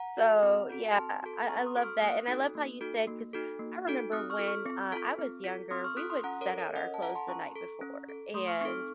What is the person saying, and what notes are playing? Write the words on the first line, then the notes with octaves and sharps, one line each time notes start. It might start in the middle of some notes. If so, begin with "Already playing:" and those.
So, yeah, I I love that. And I love how you said, 'cause I remember when, uh, I was younger, we would set out our clothes the night before. And,
Already playing: F#5 A#5
F#4 A4
C4
F#4 A4
C4 A5 C6
F#4 A4
C4 A#5 C#6
C6 D#6
F#4 A4
C#6 F6
A#3 D#6 F#6
D#4 F#4 A4
A#3
D#4 F#4 A4
A#3
D#4 F#4 A4
A#3
D#4 F#4 A4
C4 D#6 F#6
C#6 F6
F4 A4
C#6 F6
C4
F4 A4
C4
F4 A4
C4 C6 D#6
C#6 F6
F4 A4 D#6 F#6
C6 D#6
C#4 F#5 A#5
A#4 C#5
A4
A#4 C#5
C#4 D#5 F#5
A5
A4 F#5 A#5
A5 C6
C#4 A#5 C#6
A4
C#4
A4
A3 C6 D#6
C#6 F6
C4 D#4 A4 C#6 F6